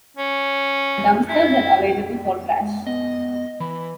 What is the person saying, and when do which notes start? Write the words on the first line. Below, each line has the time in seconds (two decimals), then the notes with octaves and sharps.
Dumpsters are available for trash.
0.17 C#4
1.29 E4
2.61 G#3
2.87 B3 D#5
3.60 E3 B5